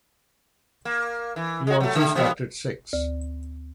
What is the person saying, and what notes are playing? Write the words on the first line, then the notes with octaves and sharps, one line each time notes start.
He also started six.
A#3
E3
G#3 F#4
F#3 A3
D3 A3
B2 F3 B3
D2